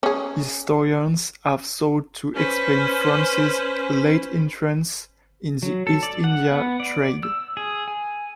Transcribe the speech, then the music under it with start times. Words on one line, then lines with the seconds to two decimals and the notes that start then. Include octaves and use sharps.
Historians have sought to explain France's late entrance in the East India trade.
0.03 C#4 G#4
2.35 C#4 B4 C5
5.63 F#3
5.87 A4
6.03 D5
6.24 F#5
6.51 B3
6.80 D5
7.23 E6
7.57 G#4
7.88 G#5